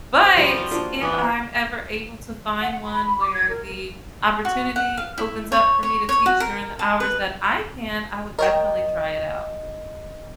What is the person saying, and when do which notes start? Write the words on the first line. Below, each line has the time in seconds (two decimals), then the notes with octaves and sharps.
but, if I'm ever able to find one where the opportunity opens up for me to teach during the hours that I can, I would definitely try it out?
0.24 F#4 C5
0.37 F3 G3 E4 F#4 C#5 D6
0.58 F5
0.71 A#3 D4 F4
1.02 E3 B3 D5
2.62 F#5
2.82 B5
3.19 D6
3.34 G#6
3.50 A#4
4.45 F#4
4.76 F#5
4.97 F5
5.18 E4
5.52 C#5
5.83 C#5
6.09 C#5
6.26 F#4
6.40 A#4
6.79 A5
7.00 B4
8.39 A#4 C#5 D#5 G5